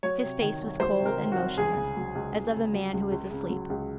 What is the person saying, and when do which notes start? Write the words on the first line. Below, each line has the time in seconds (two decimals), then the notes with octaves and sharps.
His face was cold and motionless, as of a man who is asleep.
0.03 F#3 C#5
0.23 C3
0.42 D#3
0.61 C2
0.80 F#3 C5
1.00 C3
1.06 A#4
1.19 D#3
1.32 F#4
1.38 C2
1.58 C#2 G#4
1.77 C#3
1.97 F#3
2.15 C#2
2.35 C#2
2.54 C#3
2.73 F#3
2.93 C#2
3.11 C#2
3.31 C#3
3.50 F#3
3.70 C#2